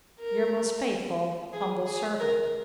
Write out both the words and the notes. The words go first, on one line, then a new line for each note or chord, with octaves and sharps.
'Your most faithful humble servant.'
A#4
G#4
G#4
A#4